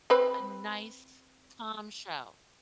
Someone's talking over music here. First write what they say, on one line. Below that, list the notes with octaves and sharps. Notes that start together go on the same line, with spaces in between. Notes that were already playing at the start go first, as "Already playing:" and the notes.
a nice, calm, show.
C4 B4 B5